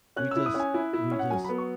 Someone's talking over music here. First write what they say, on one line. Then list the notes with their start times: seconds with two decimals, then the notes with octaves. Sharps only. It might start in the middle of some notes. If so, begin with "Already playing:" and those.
we just we just
0.16 C#4 F#6
0.31 E6
0.36 E4
0.46 D#6
0.54 C#4
0.60 G#5
0.74 E4
0.93 E4
1.11 C#4
1.19 F#5
1.30 F#3 G#5
1.44 B5
1.49 B3
1.58 C#6